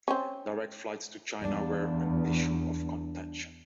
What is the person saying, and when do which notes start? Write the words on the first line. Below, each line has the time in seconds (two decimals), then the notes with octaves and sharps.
Direct flights to China were an issue of contention.
0.08 C4 C#4
1.42 E2 G3 D4 F5